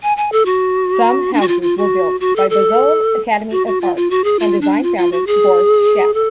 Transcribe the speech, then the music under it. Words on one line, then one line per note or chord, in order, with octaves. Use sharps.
Some houses were built by Bezalel Academy of Art and Design founder Boris Schatz.
G#5
G#5
A4
F#4
D4
F#4
F4
F4
F#4
F#4
A4
A4
F#4
F#4
F4
F4
F#4
G#4
F4
D4
F4
F4
F#4
G#4
A4